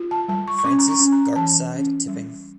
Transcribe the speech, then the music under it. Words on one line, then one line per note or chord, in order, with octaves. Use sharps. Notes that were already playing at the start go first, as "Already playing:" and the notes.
Francis Gartside Tipping.
Already playing: F4
A5
G3 A5
C#6
C#6
C#4 D6
A#5
C#6
C#4
A#5
E3 A5
C#4
G3